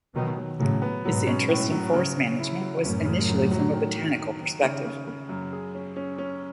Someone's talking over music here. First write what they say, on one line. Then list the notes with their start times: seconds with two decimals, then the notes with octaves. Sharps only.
His interest in forest management was initially from a botanical perspective.
0.15 B2 D#3 F#3
0.37 F#3
0.60 A2 C#3 F#3
0.82 B3
1.05 G#2 B2 F#3
1.27 C#4
1.49 A2
1.71 F#3
1.93 C#3
2.16 C#4
2.38 E4
2.60 F#3
2.83 F#2 A2 C#4
3.05 C#3
3.29 F#3
3.51 F#3
3.73 D#3
3.95 D#3
4.18 D#3
4.41 D#3
4.63 C#3
4.84 C#3
5.07 C#3
5.29 F#2
5.52 G#4
5.75 C#4
5.96 C#4
6.18 C#4